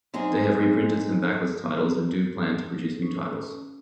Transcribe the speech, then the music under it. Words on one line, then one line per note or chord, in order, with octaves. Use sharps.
They have reprinted some backlist titles and do plan to produce new titles.
F#2 C4 D#4 G#4
C#4